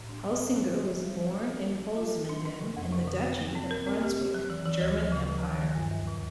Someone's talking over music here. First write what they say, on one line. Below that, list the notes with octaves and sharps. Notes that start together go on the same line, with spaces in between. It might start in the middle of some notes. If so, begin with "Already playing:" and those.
Heusinger was born in Holzminden, in the Duchy of Brunswick, German Empire.
Already playing: A2
D4
F#3
C4
F#3
D3
G3
G3
F#3
G#4
F#3
F#3
F#3
F4
F#3
D4
D4
C3
F2
C3
D3
A#3
A#3
C4
A#4
C4
G4
G4
F#3
E3
E3
D2
F3
C#3
C#3
D#3
F#3
G2
D#2
C#3